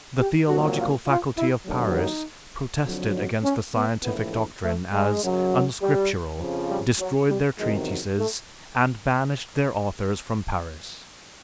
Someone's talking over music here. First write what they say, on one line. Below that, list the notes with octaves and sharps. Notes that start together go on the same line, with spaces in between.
The theological faculty of Paris protested against the scientific doctrine as unscriptural, destroyed their treatises, and banished their authors from Paris.
G4
C2 A#2 F#3 F#4
F4
F4
E4
D#2 D3 F#3
D#4
F2 D3 F#3
D#4
C#4
B3
A#1 A2 E3 B3
A3
A3
G#3
F#2 C#3 F#3
G3
F2 C#3 F3
G3
F#3
G3
E2 C3 D#3 F#3 G#3
A3